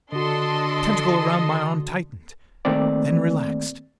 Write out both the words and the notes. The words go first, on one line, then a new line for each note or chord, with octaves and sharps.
The tentacle around my arm tightened, then relaxed.
D3 D4 F#4 A4 D#5 C6
D#3 A3 A#3 C4 D5